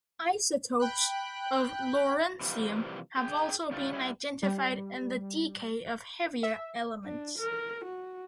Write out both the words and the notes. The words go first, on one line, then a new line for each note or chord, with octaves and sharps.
Isotopes of lawrencium have also been identified in the decay of heavier elements.
G5 B5 F#6
C3 E3 F3 G3 A#3
G#4 G5
A2 C#3 G3 A3 F4
G3 E4 F#4 G#4
G3
E5
D4
A#4
F#4